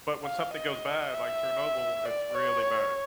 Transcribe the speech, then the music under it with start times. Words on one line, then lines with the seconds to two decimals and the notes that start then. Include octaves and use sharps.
But when something goes bad, like Chernobyl, it's really bad.
0.24 F5
0.54 D#5
1.14 E5
2.05 D5
2.34 C#5